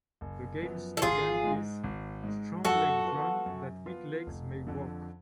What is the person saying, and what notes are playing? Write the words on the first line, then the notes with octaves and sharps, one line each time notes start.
The game's slogan is "Strong Legs Run That Weak Legs May Walk".
F#1
F#2 F3 B3
A4
G#1 F4 G#4
G#2 G#3
G#1
G#2 G#3
F#2 F#4 A4
F3 B3 F4
F#2
F3 B3 F4
F1
F2 D3